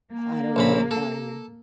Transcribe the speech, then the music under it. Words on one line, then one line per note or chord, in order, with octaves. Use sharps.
I don't know if I'm
A#3
A#1 C#3 B5
A4